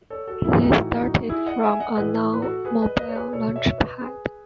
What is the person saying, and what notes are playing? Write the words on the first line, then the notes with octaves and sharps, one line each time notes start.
They started from a non-mobile launch pad.
A4 C#5
F#4 A4
E4 G#4
A2 E3 D#4 F#4
D#4 F#4
E4 G#4
D#5 F#5
E5 G#5
D#5 F#5
A2 E3 B4 D#5
B4
F#4 A4
G#4 B4
B4 D#5
B4 D#5
C#5
G#4 B4
B2 A4 C#5
C#5 E5
B4 D#5
G#4 B4